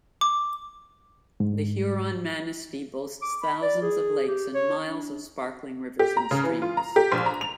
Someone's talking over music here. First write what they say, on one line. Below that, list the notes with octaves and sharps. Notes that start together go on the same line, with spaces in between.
The Huron-Manistee boasts thousands of lakes and miles of sparkling rivers and streams.
D6
G#2
D6
B5
D5
G#4
G4
C#5
D4
G4
A#5
C#3
E3
F4
A#5
G4
A#1
A#5
F7